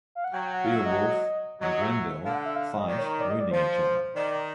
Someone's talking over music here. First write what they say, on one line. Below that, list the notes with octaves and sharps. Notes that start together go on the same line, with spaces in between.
Beowulf and Grendel fight, wounding each other.
F5
F#5
F#3 G5
G5
F#5
F5
E5
D#5
F#3 D#5
D#5
E5
D3 F5
F#5
E5
F5
D#5
D#3 D5
C#5
C#5
D5
D#5
D5
F3 C5
D#3 D5